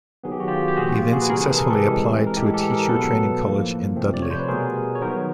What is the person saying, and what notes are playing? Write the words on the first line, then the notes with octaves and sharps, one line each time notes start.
He then successfully applied to a teacher training college in Dudley.
D#3 F#3 B3 G#4
G4
F#4
F4 G4
G4
A#2 F3 A#3 F#4 G#4
F4 G4
F#4 G#4
B4
C3 E3 G3 G#4 A#4
A4 B4
G#4 A#4
G4 A4
E3 G#3 C4
A#4
A2 E3 G#3 G4 A4
G4 A4
G#4 A#4
B2 F#3 B3 A4 B4
A2 F3 A#3
C3 F3 A3 C4
D5
C#5
C5
B4
B2 G3 B3 G#4 A#4
C#5
D#3 F#3 B3 A#4 C5